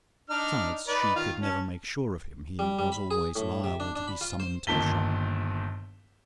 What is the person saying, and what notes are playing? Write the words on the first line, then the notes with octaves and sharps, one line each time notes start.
Besides, she could never make sure of him: he was always liable to be summoned to the shop.
D4 D#4 F6
D#4 B4 D5
D#3 F4
C#4 A5
G3
G3
B5
G#4
A2
C3
D4
D4
B5
F4
C5
G1 A#2 D#3 A5 B6 G7